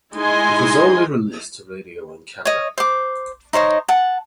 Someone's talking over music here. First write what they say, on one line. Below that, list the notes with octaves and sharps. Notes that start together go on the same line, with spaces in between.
It was only released to radio in Canada.
G#3 D#4 E4 D#5 G#5 C6
C#5 D#5
C5 D6
D#4 C5 C#5 D#5
F#5 A5